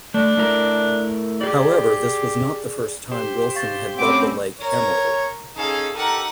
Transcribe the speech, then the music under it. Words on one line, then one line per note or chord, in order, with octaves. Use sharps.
However, this was not the first time Wilson had dubbed a lake 'Emerald'.
A3 D4
A3 E4 A#4
G4 G#4 D5
G4 C5
F5 C#6 A6
A3 C4 C#4 F#5 B5 D6
A#4 C#5
C#4 D#4 G#4 A4 F5
D#4 G4 A4 A#4 F#5